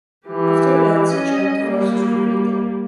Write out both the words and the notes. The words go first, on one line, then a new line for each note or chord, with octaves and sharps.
After that, she joined forces with Rita.
E3 G4
C#4 D#5
G3 A#3